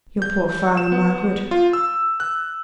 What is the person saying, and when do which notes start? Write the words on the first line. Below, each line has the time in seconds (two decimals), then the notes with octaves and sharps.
Your poor father, Margaret.
0.22 G6
0.77 E7
0.92 B3
1.51 F4
1.73 E6
2.20 F#6